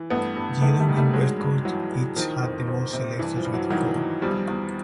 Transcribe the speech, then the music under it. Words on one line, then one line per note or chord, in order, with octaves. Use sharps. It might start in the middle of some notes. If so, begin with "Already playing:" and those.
Geelong and West Coast each had the most selections with four.
Already playing: E3
G2 A3 B3
G2
D#3 A3 B3
G3 A3
D#3
G3 A3
G2 F#3 G#3
G2
E3 F#3
E3
D#3 F3
F2
F2 F3
C3
G2 E3
F3
G2
E3 F#3
D#3 E3 F#3
D#3
E2 F3 G3
E2